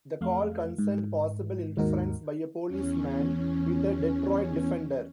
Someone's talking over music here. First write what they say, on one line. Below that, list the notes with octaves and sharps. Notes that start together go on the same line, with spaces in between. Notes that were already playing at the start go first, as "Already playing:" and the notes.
The call concerned possible interference by a policeman with a Detroit defender.
F2 A3 F5
G#2
D#2 G#2 D#4 F#4 A#4
E2 C#4